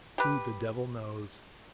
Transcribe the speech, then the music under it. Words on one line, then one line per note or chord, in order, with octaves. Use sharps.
Who the devil knows?
G4 B4